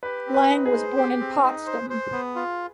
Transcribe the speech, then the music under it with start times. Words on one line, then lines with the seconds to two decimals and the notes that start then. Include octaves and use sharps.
Lange was born in Potsdam.
0.03 G4 B4
0.27 C4
0.34 B4
0.50 D#4
0.65 G#4
0.73 C5
0.97 G4
1.20 C4
1.43 D#4
1.66 C5
1.90 C5
2.12 B3
2.35 F4